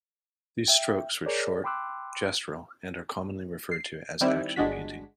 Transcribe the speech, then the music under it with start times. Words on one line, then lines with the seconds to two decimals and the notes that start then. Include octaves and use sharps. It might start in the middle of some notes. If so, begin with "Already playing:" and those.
These strokes were short, gestural and are commonly referred to as action painting.
0.68 E5 G5
1.26 G#4 A#4 C#5 D5
1.64 G5 B5 C6 D6 E6 F#6
3.71 C7
4.21 D#3 G3 C4 E4
4.56 G1 G#3 D4 F#4 B6